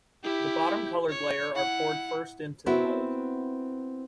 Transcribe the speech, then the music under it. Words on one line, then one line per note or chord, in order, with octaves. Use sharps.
The bottom coloured layer are poured first into the mold.
E4 G4
C#5
E4 F#5
B3 C4 E4 F#4